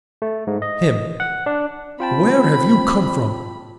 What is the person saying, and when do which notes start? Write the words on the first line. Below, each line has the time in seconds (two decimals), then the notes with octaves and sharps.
HIM: Where have you come from?
0.22 A3
0.47 G#2
0.62 D#5
1.20 F#5
1.46 D4
2.00 C4 F4 G5 A5 B5